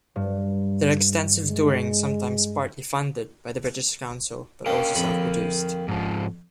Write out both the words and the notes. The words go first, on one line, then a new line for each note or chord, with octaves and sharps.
Their extensive touring sometimes partly funded by the British Council but also self produced.
G2
G#3
A#3 C#4 A#4 F5 G5
F2 B5
G#2 F3